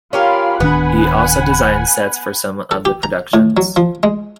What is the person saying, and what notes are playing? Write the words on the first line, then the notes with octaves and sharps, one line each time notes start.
He also designed sets for some of the productions.
C#4 F4 G4 A#4 F5 B5
D1 D#3 B3 D4 B4 F#5 G#5 B5
A4
G4
A#5
A2
F#3
F3
G#3